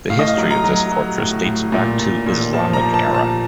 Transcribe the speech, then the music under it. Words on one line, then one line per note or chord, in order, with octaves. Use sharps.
The history of this fortress dates back to Islamic era.
A2 F5
D#5
F5
F#3
A#5
F#3
F#3
A2
A2
A#2
A#2
A#2
F3 A5
A#5
F3
A5
A#2
A5